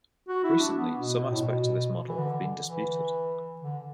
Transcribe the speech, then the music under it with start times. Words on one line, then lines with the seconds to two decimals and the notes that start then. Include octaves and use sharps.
Recently, some aspects of this model have been disputed.
0.28 F#4
0.44 E4
0.59 D4
0.76 B3
0.99 B2
1.23 B2
1.32 A2
1.40 B2
2.09 E3
2.18 D3
2.66 E3
3.61 D3